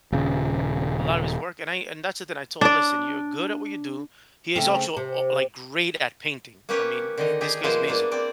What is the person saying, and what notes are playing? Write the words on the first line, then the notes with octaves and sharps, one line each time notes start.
a lot of his work, and I and that's the thing that I told him, "Listen, you're good at what you do." He is also, uh, uh, like, great at painting. I mean, this guy's amazing.
D#1 C#3
D4 D5
C#3 A3 C4
C3
A#3 B3 C#4 G4 B4 C#5
D3 D#3 D#5
G4 G#4 D#5
F3 G#3 A#3 B3 E4 C5
A#3 B3 D4
A#3 C4 D5